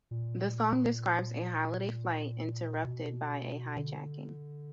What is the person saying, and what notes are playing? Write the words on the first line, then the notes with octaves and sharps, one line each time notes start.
The song describes a holiday flight interrupted by a hijacking.
A#2
B2
D3